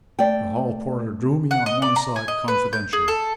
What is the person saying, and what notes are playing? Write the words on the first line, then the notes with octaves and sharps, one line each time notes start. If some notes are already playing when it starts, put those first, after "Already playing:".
The hall porter drew me on one side confidentially.
A3 D5 G5
F#5
D#5
D5
A#5
G#5
D#5
B4
G6
G#4
A4